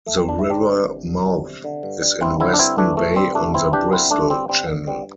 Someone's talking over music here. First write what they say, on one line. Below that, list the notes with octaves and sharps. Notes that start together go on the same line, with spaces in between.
The river mouth is in Weston Bay on the Bristol Channel.
A3
C4
D4
E4
G3 D4 G4
C3
C2
C2
G3
C3
D3
G2
G3
G1 C4 E4
D3 C4 E4
D4
G2 C4 E4
E3 A3 D4
C3 A3
G3 C4
C2 A3 D4
E3 C4 E4
C3 D4 G4
D3 C4 E4
G2 A3 D4
G3 C4
G1 G3 C4
D3
G2 G3 C4